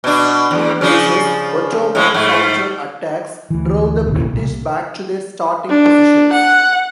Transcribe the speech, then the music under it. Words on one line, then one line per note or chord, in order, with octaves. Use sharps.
In places, Ottoman counter-attacks drove the British back to their starting positions.
B2 D4
E2
C#3 F3 D4
A2 F3
G#2 A3
D2 E3
E1 A1 D#2 C#3
C2 A#2
D4
F#5